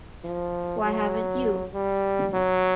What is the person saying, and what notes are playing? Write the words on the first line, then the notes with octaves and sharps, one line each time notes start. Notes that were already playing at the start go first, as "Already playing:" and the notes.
Why haven't you?
F3
F#3
G3
F#3